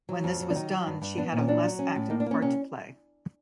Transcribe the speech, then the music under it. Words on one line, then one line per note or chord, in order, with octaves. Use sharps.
When this was done she had a less active part to play.
F#3
F2
F#3
D4
D#3 D#4
F#3
G2
G2
B3 D4
A#2
C#4
F#3 D4
F#3
C#4
A2
A#3 D#4
D4
A#3 C#4
C3 C#4